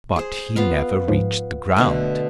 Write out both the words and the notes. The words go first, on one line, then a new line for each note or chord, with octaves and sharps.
But he never reached the ground.
G#4 C5
B3 F4 F5
G#2 F3
B2 D3 A3